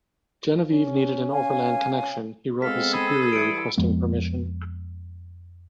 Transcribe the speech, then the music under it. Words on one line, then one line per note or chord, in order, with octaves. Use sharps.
Genevieve needed an overland connection, he wrote his superior requesting permission.
C#4
C#5 F5 G#5
G#3 B3 C4 A4 F5 B6
G#4 B5 E6
E3 G3 E4 C#7 D7
F2 F3 G#3 B3